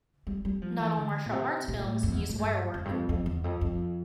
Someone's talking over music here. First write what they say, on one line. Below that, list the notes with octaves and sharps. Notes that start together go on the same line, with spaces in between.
Not all martial arts films use wire work.
G3
G3
F3
E3
D3
A#2
C3
A#2
A2
F2
E2
A2
G2
F2
G2
F2
F2
E2
F2
F2